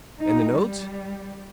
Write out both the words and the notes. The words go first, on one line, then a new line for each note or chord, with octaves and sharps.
"And the notes?"
D#4
G3